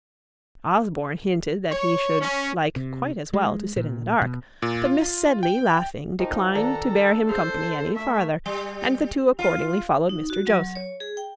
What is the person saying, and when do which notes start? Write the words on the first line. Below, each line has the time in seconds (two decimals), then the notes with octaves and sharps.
Osborne hinted that he should like quite as well to sit in the dark; but Miss Sedley, laughing, declined to bear him company any farther, and the two accordingly followed Mr. Joseph.
1.71 C#5
2.21 C#4
2.76 C3
3.33 G#3
3.76 A#2
4.22 B2
4.62 A#2
4.85 F4
5.43 G5
6.19 F3 D#4 G4 A#4
6.55 D#3 D4 A4 D5 F#5 A5 A#5
7.29 G#4 C5
7.96 A3 E5
8.46 G3
9.39 F4
10.09 D#4
10.30 F#4
10.47 F#3
10.75 C#5
11.00 G#4
11.17 G5